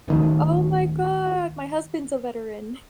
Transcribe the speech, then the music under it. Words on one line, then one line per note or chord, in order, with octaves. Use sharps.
Oh my god! My husband's a veteran.
D1 D#3 A3